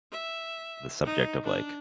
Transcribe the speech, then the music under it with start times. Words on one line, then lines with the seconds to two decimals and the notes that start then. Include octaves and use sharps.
the subject of, like,
0.12 E5
1.05 D#4
1.45 D4